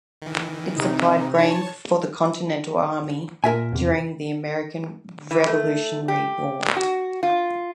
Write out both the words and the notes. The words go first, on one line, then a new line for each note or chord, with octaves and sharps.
It supplied grain for the Continental Army during the American Revolutionary War.
D#3 E3
C3 D#4
C#5 A5
A#2 A#4 E5 G#5
E2 C3
E3
A3
G4
F#4
F4